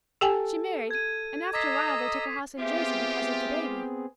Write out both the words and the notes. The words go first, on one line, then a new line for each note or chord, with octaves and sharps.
She married, and after a while they took a house in Jersey because of the baby.
G4 A4 G5 G#5
G#6 D#7
D#5 A#5 D6 E6 B6 C7
D#6
B3 C4 F4 G4 G#4 E5